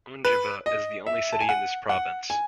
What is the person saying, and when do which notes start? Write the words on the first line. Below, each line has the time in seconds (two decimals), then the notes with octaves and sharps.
Ondjiva is the only city in this province.
0.25 B4
0.66 D#5
1.07 E5
1.33 A5
1.41 G#5
1.49 F#5
1.89 F#5
2.30 G#5